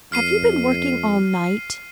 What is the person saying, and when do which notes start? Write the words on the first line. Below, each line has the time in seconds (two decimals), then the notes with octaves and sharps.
Have you been working all night?
0.12 F2 F6 C7 D#7